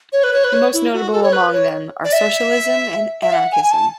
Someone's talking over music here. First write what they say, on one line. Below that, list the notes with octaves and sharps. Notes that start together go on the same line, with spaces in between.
The most notable among them are socialism and anarchism.
C#5
B4
C#5
B4
C#5
E4
F#4
A4
C#5
B4
C#5
D5
E5
E5
F#5
G#5
G#5
A5